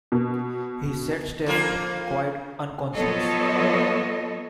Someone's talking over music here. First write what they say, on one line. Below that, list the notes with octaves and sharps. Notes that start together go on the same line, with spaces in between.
He sat staring, quite unconscious.
B2
F2 A#3 F4
F3 F#3 B3 A4 C#5 D#5